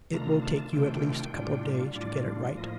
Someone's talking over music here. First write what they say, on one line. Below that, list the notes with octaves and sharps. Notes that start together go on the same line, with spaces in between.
It will take you at least a couple of days to get it right....
C3 D#3 A3 D4 F4 A#5
A5
C3 D#3 A3 D4 F4 G5
A2 G3 D4 F4
A2 G3 D4 F4 D5
A2 F3 A#3 F4 D#5